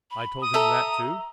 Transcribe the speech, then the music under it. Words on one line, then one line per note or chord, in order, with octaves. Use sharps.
"I told him that too?"
B5
D#6
A4 E5 A#5